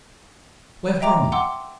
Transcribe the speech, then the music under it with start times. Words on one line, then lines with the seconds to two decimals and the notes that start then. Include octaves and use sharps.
"Where from?"
1.00 D#5 E5 G5 A#5 D6
1.32 F#5 G5 C6 D6 E6